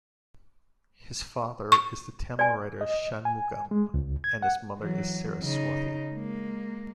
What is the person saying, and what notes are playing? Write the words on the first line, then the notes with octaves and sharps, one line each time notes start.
His father is the Tamil writer Shanmugam and his mother is Saraswathi.
C#6
D5 G#5
D#5
G#5
G#3
C#2
G#6
F#5
E3 F#3
C#3 D#4
G#3 A#3